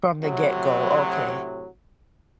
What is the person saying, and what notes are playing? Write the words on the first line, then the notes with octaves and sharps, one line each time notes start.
From the get-go, okay.
A2 C3 F#3